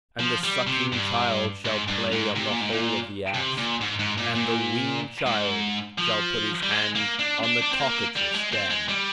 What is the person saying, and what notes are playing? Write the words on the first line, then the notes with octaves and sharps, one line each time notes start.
And the sucking child shall play on the hole of the asp, and the weaned child shall put his hand on the cockatrice' den.
F3
G3
C3
G2
G#2
G2
G#2
C3
A#2
G#2
A#2
C3
A#2
G#2
G#2
A#2
A#2
G#2
F3
G3
G#3
A#3
D4
D4
D4
C4
A#3
G3
G#3
C4
G#3
G3